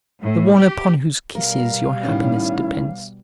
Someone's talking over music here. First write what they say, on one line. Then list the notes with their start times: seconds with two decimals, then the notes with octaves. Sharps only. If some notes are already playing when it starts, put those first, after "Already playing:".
The one upon whose kisses your happiness depends.
0.21 A2
0.56 G4
1.35 B2 G3 A#4 F5
2.03 A2 D#3 C#4 E4